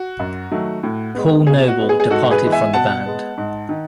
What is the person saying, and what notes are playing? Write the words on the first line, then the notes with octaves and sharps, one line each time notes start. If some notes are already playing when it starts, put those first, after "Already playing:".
Paul Noble departed from the band.
Already playing: F#4
F#2
D#3 F#3 A3
A2
G#3 B3
B2 G#4
F#4
G#3 B3
G#4
G#4
G#2 F#4 A4
G#4 B4
E3 G#3 B3
E5 G#5
B2 F#5 A5
G#3 B3
G#2
D#3